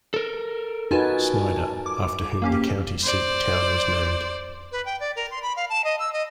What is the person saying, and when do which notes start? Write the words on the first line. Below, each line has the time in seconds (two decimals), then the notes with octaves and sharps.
Snyder, after whom the county seat town was named.
0.14 A4 A#4
0.91 D#4 F4 F#4 B4 G#5 A5
1.86 D6
2.42 A#3 C#4 G4
3.03 C5 D5
4.72 B4
4.86 G5
5.00 D5
5.16 A#4
5.31 C6
5.42 B5
5.56 F5
5.70 A5
5.84 D#5
5.99 E6
6.13 D#5